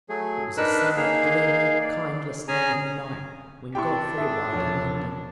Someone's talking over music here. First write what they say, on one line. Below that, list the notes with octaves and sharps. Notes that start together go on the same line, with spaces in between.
It was a sad, gloomy, kindless November night, when Godfrey arrived in London.
F#3 A3 G#4
D4 D#4 A#4 B4 E6 F#6
A#3 D#4 G#4 F5
D5
C#4 G#4 G#5 A#5
D4 E4 G4 G5 C6 C#6
G#4 A4 E5
E1 F3 C#4